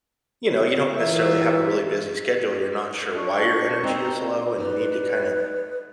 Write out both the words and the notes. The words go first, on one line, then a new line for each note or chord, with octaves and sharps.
you know, you don't necessarily have a really busy schedule, you're not sure why your energy is low and you need to kinda
E3 F4 A#4 E5
D4 C#6
C4 D#4 A#5
D#4 B4 D5